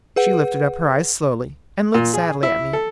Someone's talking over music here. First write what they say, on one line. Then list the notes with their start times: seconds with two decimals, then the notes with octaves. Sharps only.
She lifted up her eyes slowly, and looked sadly at me.
0.16 G#4 B4 F#5
1.94 A#2
2.14 G#4
2.43 E4
2.73 A4